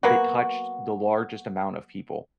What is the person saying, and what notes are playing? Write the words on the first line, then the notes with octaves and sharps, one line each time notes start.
that touched the largest amount of people,
F#3 A#3 B3 F#4